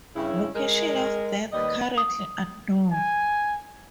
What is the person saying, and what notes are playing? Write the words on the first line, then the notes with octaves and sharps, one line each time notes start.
Location of death currently unknown.
G2 C#3 C#4 E4
G#3 A#4
D#2 G3 B4 D#5
D#6
G#5